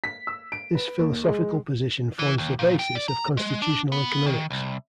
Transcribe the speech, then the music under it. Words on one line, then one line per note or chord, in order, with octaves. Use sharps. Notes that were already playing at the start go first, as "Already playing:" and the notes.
This philosophical position forms the basis of constitutional economics.
B6
E6
D7
B4
D#2
G#3
E3
D#2
A#2
G5
D5
A#5
G#3
D4
B3
D#3
C2